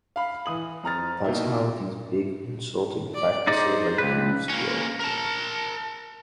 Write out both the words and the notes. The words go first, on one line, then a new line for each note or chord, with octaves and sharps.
That's how these big consulting practices like Jeeves's grow.
F5 B5
E3 D#6 F#7
F2 A#5 F6 A6
B2 A#3 D#4 E4
D5
D#4 G#4 C5 D5
C#2 B4
A#3 C#4
A#4 A5